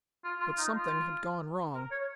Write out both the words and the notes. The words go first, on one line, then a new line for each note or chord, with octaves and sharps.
But something had gone wrong.
F4
F4
D#4
F4
A#4
C#5